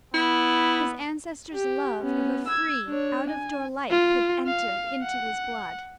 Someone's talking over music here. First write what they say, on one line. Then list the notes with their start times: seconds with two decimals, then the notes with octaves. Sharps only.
His ancestors' love of a free, out-of-door life had entered into his blood.
0.14 B3 E4
1.53 G4
2.01 B3 C#4
2.47 E6 G#6
2.87 D4 C#5
3.30 G#5
3.90 F4
4.46 F5
5.03 F#5